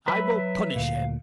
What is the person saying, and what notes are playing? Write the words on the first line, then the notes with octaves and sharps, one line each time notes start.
"I will punish him."
F#3 B4 E5 B5
D2 A#2 F5